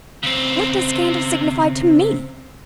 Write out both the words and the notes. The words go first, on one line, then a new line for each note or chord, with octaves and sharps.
What does scandal signify to me?
C#3 C4